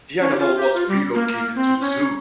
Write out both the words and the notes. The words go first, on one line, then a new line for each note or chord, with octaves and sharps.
The animal was relocated to the zoo.
C#4
G4
F4
G4
F4
G3
A#3
A#3
C4
C#4